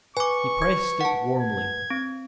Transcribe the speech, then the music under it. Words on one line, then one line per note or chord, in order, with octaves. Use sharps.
He pressed it warmly.
B4 G#5 C#6 D6
G#6
F#5 A5
G#6
C4